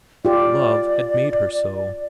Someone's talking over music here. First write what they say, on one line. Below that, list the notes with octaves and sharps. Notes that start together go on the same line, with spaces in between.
Love had made her so.
F4 G4 D5